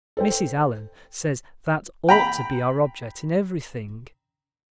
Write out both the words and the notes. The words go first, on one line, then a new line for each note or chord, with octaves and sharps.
Mrs. Allan says that ought to be our object in everything.
A4 C5 G5
G5 A#5 B5